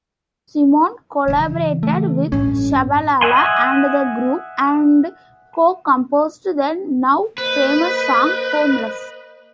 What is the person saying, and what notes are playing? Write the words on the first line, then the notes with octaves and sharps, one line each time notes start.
Simon collaborated with Shabalala and the group, and co-composed the now-famous song, "Homeless".
C#3 E3
A3
A1 G2 C#4
D#5 E5 F#5 G#5 C6
A#3 B4 C5 D#5